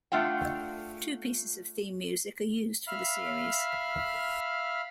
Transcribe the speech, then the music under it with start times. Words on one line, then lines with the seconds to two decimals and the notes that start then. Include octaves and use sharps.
Two pieces of theme music are used for the series.
0.12 A3 D4 F4 F#5 G5
2.87 E5 F5 B5 F6